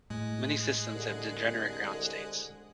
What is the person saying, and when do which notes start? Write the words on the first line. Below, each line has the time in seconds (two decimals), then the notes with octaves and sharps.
Many systems have degenerate ground states.
0.10 A2 G#3 G#4 F#6
0.95 C2 D3